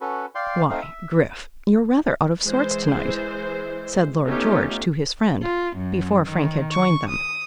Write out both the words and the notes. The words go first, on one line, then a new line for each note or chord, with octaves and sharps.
"Why, Griff, you're rather out of sorts to-night," said Lord George to his friend, before Frank had joined them.
C#4 F#4 A4 B4
D5 F5 G5 C6
A3 C4 D#4 F5
E5
E3 G#3 C5
A3 B3 C#4 D#4 F4 G4
F4
F#2
D#3
C#6
D#6